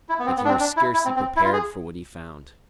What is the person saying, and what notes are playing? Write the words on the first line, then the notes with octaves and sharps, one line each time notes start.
Yet he was scarcely prepared for what he found.
E4
B3
C4
B3
D4
C4
D4
E4
E4
C4
C4
E4
F4
G#4